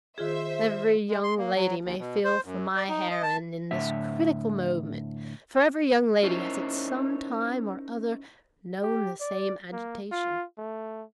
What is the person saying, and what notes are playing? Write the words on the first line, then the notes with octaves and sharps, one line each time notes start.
Every young lady may feel for my heroine in this critical moment, for every young lady has at some time or other known the same agitation.
D#3 F4 G#4 C5 E5
G#3
C6
A#3
F#3
D#2
B2
C5
F#2
D5
D#4
D#5
A5
A2 D3 E5
C#4 D#4 E4 A#4 C5 C#5
G4
D5
A#3
F4
A3